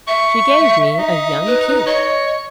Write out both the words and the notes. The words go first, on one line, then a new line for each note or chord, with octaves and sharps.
'She gave me a young kid.'
E5 C#6
D#4
B4
C#5 D#5